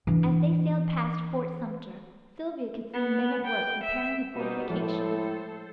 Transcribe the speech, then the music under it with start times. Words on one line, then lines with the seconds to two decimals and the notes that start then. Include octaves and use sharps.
As they sailed past Fort Sumter Sylvia could see men at work repairing the fortifications.
0.07 E3 D4
2.93 B3
3.46 G5
3.83 E5
4.36 B2 G3 D#4 C5
4.69 A2 F3 G#3 A4 C5